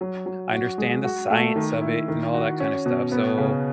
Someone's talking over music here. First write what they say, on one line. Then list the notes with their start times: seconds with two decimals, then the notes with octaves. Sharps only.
I understand the science of it and all that kinda stuff, so
0.01 F#3
0.26 F#3
0.53 F#4
0.78 G#3
1.04 F#4
1.30 A3
1.56 D#3
1.81 E4
2.08 D#3
2.34 F#4
2.60 C#4
2.86 B2
3.12 B3
3.38 C#3